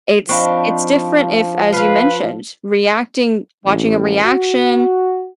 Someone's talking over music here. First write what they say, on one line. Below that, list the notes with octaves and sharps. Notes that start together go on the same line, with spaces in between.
It's it's different if, as you mentioned, reacting watching a reaction
F3 C4 D4 D#4 F5 B5 C#6
F4 B4 F5
A1
F#4